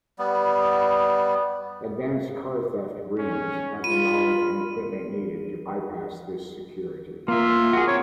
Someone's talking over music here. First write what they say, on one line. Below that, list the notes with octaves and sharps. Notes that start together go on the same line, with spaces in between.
Advanced car theft "rings" have the knowledge and equipment needed to bypass this security.
G3 B3
C#4
F4 B5 D#7
A#3 F4 E5
F#4 G#4
C4 A#4 C#5